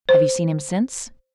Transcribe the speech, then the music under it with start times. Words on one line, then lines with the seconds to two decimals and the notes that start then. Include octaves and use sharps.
"Have you seen him since?"
0.09 C5